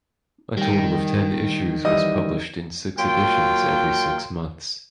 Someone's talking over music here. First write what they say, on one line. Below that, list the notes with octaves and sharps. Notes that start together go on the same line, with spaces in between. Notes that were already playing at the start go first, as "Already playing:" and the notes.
A total of ten issues was published in six editions every six months.
D#3 G3 G5
E3 G3 D#5
F#3 A#3 F4 G5